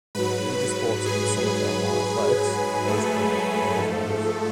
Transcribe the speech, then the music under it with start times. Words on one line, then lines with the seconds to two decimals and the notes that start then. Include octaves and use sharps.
Major sports in the summer term are athletics, boys' cricket and girls' rounders.
0.15 G#2 F#3 B4 B5
0.60 B4 B5
1.06 G#4 G#5
2.87 A3 A4
3.78 G#2 F3